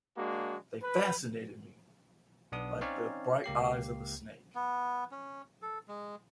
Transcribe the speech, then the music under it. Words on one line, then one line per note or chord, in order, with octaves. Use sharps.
They fascinated me like the bright eyes of a snake.
G#3 A#3 D4 F#4
B4
B1 B3 D4 D#6
C4 C#4 D#4 C#5 D5 F5
C#2 A#3 G4 C7
B3
C#4
A4
G#3